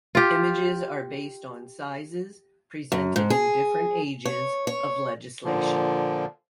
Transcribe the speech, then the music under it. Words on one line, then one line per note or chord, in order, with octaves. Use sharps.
Images are based on sizes presented in different ages of legislation.
F4 G4
F#2
G#2
G#4
C#5
C#5
A#2 D3 F3